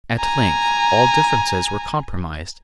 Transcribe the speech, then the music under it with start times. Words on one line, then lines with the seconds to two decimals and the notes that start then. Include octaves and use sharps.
At length all differences were compromised.
0.18 G#5 A#5